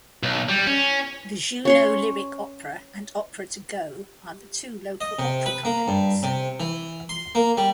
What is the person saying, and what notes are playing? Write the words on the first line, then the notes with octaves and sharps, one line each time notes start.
The Juneau Lyric Opera and Opera to Go are the two local opera companies.
B1
G3
C#4
C#4 C#5 C6
D#5
C3
B4
A#3
G2
C3
E3
C6
A#3
G3